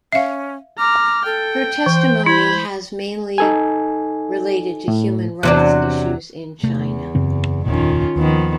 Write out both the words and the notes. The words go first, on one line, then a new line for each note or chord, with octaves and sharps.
Her testimony has mainly related to Human Rights Issues in China.
C#4 E5 F5
A#5 D6 F6
A4 G5
E3 C5
E4 C5 B5 G#6
D#4 A4 G#5
A2
E2 C3 F#3 D4 F#6
E2 C3 A3
F#2 C#3 C4
F1 D#2 A#2 D#3 C#4 F4
D#2 D#3 F3 B3